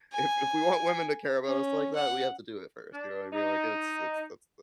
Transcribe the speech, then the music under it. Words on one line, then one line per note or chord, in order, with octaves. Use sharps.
If if we want women to care about us like that, we have to do it first," you know what I mean? Like, it's it's that's
G#5
C#4
F#5
D4
D#4